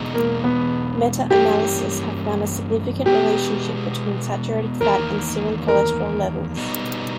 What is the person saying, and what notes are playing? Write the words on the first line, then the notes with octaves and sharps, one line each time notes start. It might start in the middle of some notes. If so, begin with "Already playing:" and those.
Meta-analyses have found a significant relationship between saturated fat and serum cholesterol levels.
Already playing: E2 B2 G#3 D#4
A#3
B3
G2 E3 A#3 C#4 G4
B2 G#3 B3 G4
E2 D#3 A#3 A#4
A#4
B2 G3 B3 D#4